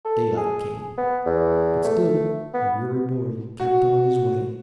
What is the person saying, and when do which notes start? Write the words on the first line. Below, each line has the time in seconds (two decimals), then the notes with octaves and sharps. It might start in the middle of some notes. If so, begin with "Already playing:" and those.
Daylight came, but still the weary boy kept on his way.
0.05 A4
0.37 G#4
0.97 B3
1.26 E2
1.84 A3
2.54 B3
3.60 F#4